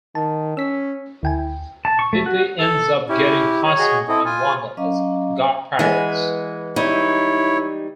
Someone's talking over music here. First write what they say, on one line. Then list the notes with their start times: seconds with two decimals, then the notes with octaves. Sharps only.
Bippy ends up getting Cosmo and Wanda as godparents.
0.15 D#3 A5
0.57 C#4 E6 B6
1.23 D2 E4 G5 G#5
1.85 A5
1.99 C#6
2.13 A3
2.26 F#4
2.59 A4
3.09 C#4 E4 G4
3.64 C#5
3.79 F#4 G#4 D#5
4.08 C4 E4 A4 D#5
4.26 F4 G#5
4.77 F#3 C#4 D#5 F5 A#5 D6
5.79 E3 G#3 B3 G#5
6.76 G3 D#4 E4 C#5